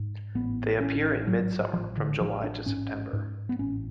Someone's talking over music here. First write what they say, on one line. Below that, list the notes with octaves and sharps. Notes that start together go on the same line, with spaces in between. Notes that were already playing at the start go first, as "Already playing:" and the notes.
They appear in mid-summer, from July to September.
Already playing: G#2
A1 B3
A1 C#4
G#2 F#3
A1 F3
D3
A1 F3
D4
G#2 C#4
G#2
B3
A1 C#4